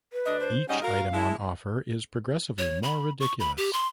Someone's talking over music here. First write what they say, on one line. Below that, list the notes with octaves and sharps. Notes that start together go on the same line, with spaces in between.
Each item on offer is progressively more ridiculous.
B4
D2 D4 D#5
C5
G#2 G3 C#4 D#5 F#5
F#4 A#4 F5
G#3 E4 A5
C#5
B5
C#6
B5
G4
C6